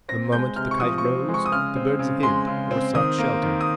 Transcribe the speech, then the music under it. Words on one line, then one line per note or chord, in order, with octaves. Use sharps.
The moment the kite rose, the birds hid or sought shelter.
C4 A#6
G#3 G6
C3 F6
C#6
F3 D#6
C#6
C4
G#3
C#6
D#6
C#3 F6
C4
C#3
G#3 C6
C#3
C4
D#3 D#6
A#3
D#3
D#6